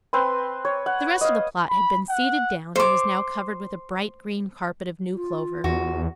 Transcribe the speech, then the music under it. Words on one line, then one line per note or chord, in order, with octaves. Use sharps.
The rest of the plot had been seeded down, and was now covered with a bright green carpet of new clover.
C4 B4 C6
C#5
F#5
D#5 F5
B5
F#5
C5 D6
F4
E2 F#4